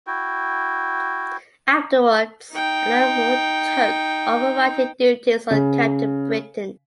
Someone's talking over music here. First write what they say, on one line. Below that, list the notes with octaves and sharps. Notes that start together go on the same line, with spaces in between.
Afterwards, Alan Moore took over writing duties on "Captain Britain".
E4 F#4 G5
D#4 G5
C#3